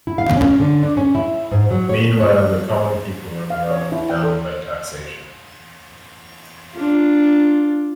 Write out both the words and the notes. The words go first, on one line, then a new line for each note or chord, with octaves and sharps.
Meanwhile, the common people were ground down by taxation.
E4
F5
C#4
D3
D4
C#4
E4
G#2
F#3
C#5
C#5
F5
C#5
E4
G5
A4
D4 F4